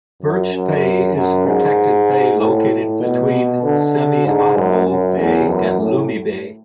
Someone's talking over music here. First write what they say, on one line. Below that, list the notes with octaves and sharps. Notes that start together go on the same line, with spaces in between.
Birch Bay is a protected bay located between Semiahmoo Bay and Lummi Bay.
F#2
F#2
F#2
G#2
A2
B2
D3
G#2
F#2
F#2
E2
F#2
A2